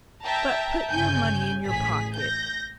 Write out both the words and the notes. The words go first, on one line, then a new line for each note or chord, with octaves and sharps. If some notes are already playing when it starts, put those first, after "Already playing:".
But put your money in your pocket.
E5 G5 A5 A#5
G1 C#3 G#5 G6
A1 G#4 B6
G6 A#6